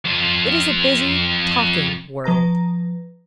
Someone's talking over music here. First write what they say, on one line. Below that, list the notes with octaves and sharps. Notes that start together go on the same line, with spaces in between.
It is a busy, talking world.
F2 F4
F3 B4 A#5 A#6